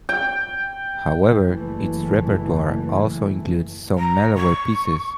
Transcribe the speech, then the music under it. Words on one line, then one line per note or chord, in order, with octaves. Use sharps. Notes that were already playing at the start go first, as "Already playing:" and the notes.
However, its repertoire also includes some mellower pieces.
G5
F#1 E3 A3
A#5
C#6